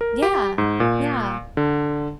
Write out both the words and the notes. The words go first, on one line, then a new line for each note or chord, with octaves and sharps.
Yeah, yeah.
A#4
G4
G#2
A#2
D3